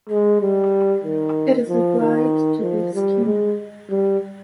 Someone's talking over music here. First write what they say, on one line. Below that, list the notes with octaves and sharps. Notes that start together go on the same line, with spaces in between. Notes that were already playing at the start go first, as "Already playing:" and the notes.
It is applied to the skin.
G#3
G3
D#3
F3
D#3
F3
G3
G#3
G3